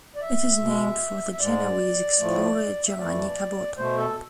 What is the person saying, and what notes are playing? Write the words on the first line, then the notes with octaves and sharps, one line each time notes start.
It is named for the Genoese explorer Giovanni Caboto.
D5
E5
B2 G#3
E5
G#2 G#3 D5
A2 F3 A3
E5
F2 E3 A3 D5
B2 A3 C5
A4